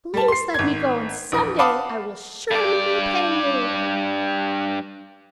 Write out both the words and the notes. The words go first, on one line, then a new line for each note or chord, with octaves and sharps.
"Please let me go and some day I will surely repay you."
G3 A5
C6 C7
G#1 G#6
A#1 E2 D#6
F5 F#5 A5 B5 D6 D#6
G2 D5